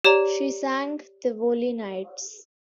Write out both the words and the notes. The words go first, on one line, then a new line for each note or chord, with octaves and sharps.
She sang "Tivoli Nights".
G4 C#5 D5 A#5